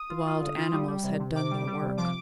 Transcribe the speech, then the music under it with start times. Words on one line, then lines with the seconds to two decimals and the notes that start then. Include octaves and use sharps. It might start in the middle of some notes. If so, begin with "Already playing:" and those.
The wild animals had done their work.
Already playing: D#6
0.09 F4
0.26 F4
0.41 D3
0.57 F4
0.72 G3
0.87 G3
1.03 C3
1.19 C3
1.34 C3 D6
1.51 G3
1.67 G3
1.82 C3
1.97 F3 D6